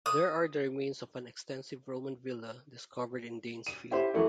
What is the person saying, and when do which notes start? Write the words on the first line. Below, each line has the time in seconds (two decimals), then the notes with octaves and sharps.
There are the remains of an extensive Roman villa discovered in Danes Field.
0.06 D#6
3.67 D#7
3.91 E4 G4 C5
4.14 E3 F#3 A3 E4